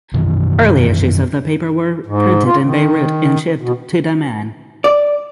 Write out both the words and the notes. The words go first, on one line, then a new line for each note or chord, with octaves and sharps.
Early issues of the paper were printed in Beirut and shipped to Dammam.
F#2 B2 D#3 E3
G#2
F4
D#3
B2
D5